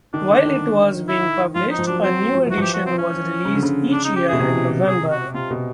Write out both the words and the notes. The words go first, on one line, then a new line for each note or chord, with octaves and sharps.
While it was being published, a new edition was released each year in November.
D#3 D4
D3
D#3
E4
F3 F4
D#4
F3
F#3 D4
F#3 C4
F3
E3 F#4
F3 G4
F#4
C4
C#4
C#3
D3
C#3
D4
D#4
G4
B2 G#4
C3
G#4
F#4
C3 F4
B2